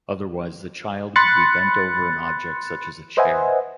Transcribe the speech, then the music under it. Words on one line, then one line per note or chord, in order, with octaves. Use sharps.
Otherwise the child would be bent over an object such as a chair.
B5 C6 F#6 A6 C#7
B4 C5 D#5 E5 F#5 G#5